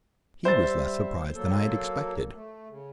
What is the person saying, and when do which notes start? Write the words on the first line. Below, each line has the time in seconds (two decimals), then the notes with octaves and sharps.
He was less surprised than I had expected.
0.45 G3 C5 E5 A6
1.35 F#3 A#3 A4
2.35 A3
2.69 C#3